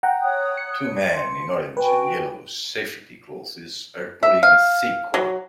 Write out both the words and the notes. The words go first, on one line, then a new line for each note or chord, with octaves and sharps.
Two men in orange and yellow safety clothes are pulling a thick cord.
F#5 G5 A#5
C#5 D#6 F#6
C#7
C6
F#4 B4 G5 G#5
E5
F5
F#3